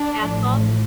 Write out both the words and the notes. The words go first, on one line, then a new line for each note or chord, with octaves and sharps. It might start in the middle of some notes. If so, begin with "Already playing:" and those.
Bath bombs.
Already playing: D4
A1 A2 F3